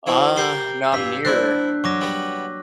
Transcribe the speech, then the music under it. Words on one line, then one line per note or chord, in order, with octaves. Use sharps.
Uh, no, I'm near
E3 C4 F#4
G3 A#4 G6 C7 G7
G2 A#2 E6 B6
G3 A#3 C4 D4 E4 F#6
F#2 F#3 C#6 D6 A#6
G3 B3